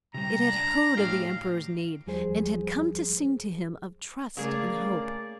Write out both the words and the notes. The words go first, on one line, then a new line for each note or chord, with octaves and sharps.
It had heard of the Emperor's need, and had come to sing to him of trust and hope.
C3 G3 A#5
D4
A2 G4 F5
D#2 F3 G3 G#4 C5
C#3 A3 A#3 G#4 A#4 D5 F5